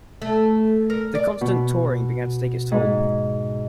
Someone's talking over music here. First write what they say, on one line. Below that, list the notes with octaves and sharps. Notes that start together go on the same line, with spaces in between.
The constant touring began to take its toll.
A3
A#4
D5
B2
G#2